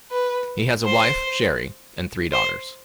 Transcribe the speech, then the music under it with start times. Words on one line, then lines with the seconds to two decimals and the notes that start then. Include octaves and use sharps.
He has a wife, Sherri, and three daughters.
0.11 B4
0.85 C5
2.33 C5